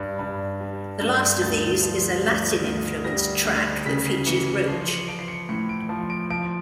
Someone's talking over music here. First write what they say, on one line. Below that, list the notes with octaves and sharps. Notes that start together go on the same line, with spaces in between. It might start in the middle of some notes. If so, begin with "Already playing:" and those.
The last of these is a Latin-influenced track that features Roach.
Already playing: G2
G2
G3
G2
D2 A6
F3
D2
D2
G3 A#6
D2
C#3 B6
C7
E3 C#7
C#7
F3 C7
C#7
F3 D7
C7
C#7
A2 C#7
D7
F3
D7
F3 D7